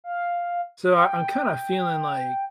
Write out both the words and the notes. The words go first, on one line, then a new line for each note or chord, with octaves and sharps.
So, I I'm kinda feeling like,
F5
G5